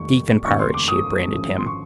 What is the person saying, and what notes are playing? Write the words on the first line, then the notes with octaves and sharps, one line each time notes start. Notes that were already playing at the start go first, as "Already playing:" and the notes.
Thief and pirate she had branded him.
Already playing: F1 D#2 D#3 G3 C#6
F1 D#2 C#3 C#6
C6
D6
D#6
G#1 F#2 D3 F3 A3
C6
C#6